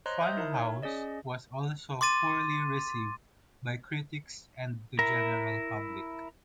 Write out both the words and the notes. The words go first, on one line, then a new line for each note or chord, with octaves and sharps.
"Fun House" was also poorly received by critics and the general public.
C5 C#5 D#5 A#5 C6 F#6
E5 D#6 G6
D#4 E4 A#4 E5
C#5
C#4 G#4 D5 D#5
C6 D6 A6 D#7
E4 A#4 A#5